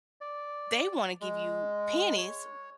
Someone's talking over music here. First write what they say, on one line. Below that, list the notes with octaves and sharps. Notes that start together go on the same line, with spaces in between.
They wanna give you pennies
D5
G#3
C#5